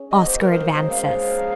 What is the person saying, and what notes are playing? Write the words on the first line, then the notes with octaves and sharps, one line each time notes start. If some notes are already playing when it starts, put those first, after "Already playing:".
Oscar advances.
Already playing: C#4 G#4
A#3 D#4 F#4 D#5
C5
A#4
C5
C#3 G#3 C4 D#4 C5
F5
F5
F3 C4 D#4 A#4